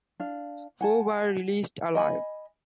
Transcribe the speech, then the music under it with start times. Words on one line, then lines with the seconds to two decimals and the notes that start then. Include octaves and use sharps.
Four were released alive.
0.20 D4 F5
0.81 F#5 G#5 A5
1.95 D#5 G#5 B5